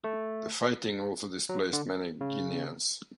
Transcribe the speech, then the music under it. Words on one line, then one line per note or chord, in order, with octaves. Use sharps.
The fighting also displaced many Guineans.
A3
F#3
D3
C#3